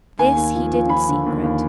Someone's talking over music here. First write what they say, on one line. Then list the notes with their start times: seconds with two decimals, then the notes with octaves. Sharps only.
This he did in secret.
0.19 D#2 G#5
0.37 D#2
0.55 F3
0.73 F3
0.89 F3 B5
1.08 D3
1.26 D#2
1.43 D#2